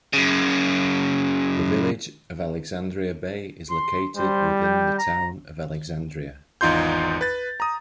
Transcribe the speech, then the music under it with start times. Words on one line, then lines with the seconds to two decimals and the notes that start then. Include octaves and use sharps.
The Village of Alexandria Bay is located within the Town of Alexandria.
0.13 F#2 C#3
3.70 C6
4.17 G3 C5
4.62 G5
4.98 A#5
6.61 G#1 E2 D#4 F4 C6 G6
7.21 B4 A6
7.60 A#5 D#6